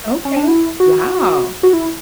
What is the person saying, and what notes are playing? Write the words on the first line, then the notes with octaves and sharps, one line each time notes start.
Okay. Wow.
C#4
D4
E4
F#4
F#4
E4